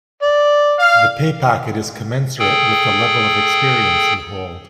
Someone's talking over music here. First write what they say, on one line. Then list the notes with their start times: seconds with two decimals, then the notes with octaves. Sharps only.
The pay packet is commensurate with the level of experience you hold.
0.23 D5
0.79 F5
2.39 G#4 A4 G5